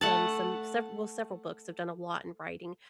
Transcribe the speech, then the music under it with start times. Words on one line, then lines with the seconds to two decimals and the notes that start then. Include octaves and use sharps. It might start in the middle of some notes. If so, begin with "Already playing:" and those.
done some sever well, several books. I've done a lot in writing
0.01 A3 F#5 A5